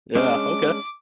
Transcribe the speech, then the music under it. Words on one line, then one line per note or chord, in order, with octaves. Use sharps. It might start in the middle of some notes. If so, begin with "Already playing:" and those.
Yeah. Okay.
G#3 C#4 D4 D6